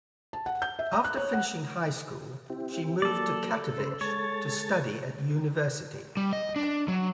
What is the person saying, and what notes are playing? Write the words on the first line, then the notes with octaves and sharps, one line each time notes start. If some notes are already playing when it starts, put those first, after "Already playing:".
After finishing high school she moved to Katowice to study at university.
A5
F#5
G6
E5
A#5
F#6
C#5
F#5
C4 E4 G4
F#3 A#3 A4 D5
C#3 B4 C5
G#3 A4 C#5 A6
G3
D#5
D4
F#3